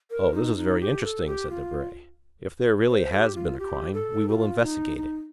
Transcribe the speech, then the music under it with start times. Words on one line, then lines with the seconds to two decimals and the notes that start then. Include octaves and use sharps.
"Oh, this is very interesting," said Debray; "if there really has been a crime, we will investigate it."
0.11 A#4
0.34 D#4
0.58 D#4
0.81 G4
1.04 A4
1.27 G4
1.50 F4
2.89 C5
3.13 A4
3.16 G4
3.35 F4
3.59 G4
3.93 A4
4.28 G4
4.33 F4
4.63 D#4
4.98 D#4